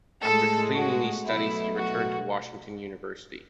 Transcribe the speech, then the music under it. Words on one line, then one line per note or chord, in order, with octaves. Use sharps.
After completing these studies he returned to Washington University.
A2 G#3 A4
F#4
B2 F#3 A3 E4
F#4